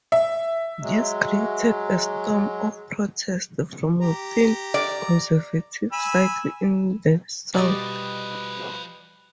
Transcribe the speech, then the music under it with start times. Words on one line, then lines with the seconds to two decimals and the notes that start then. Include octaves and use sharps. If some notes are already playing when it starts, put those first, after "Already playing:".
This created a storm of protest from within conservative circles in the South.
0.12 E5
0.81 F#3 G#3
4.02 G4 A#5
4.74 D5
5.92 G#5 B5 E6
7.54 B2 F3 G3 G4 B4 D5 D#5